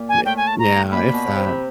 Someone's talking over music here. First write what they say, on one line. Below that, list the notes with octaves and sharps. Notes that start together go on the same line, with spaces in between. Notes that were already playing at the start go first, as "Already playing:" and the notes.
Ye yeah, if that.
Already playing: A#2
G#5
A2 G5
G#5
A5
A#5
A#2 B5
A#2
B2
C#3
C3
C3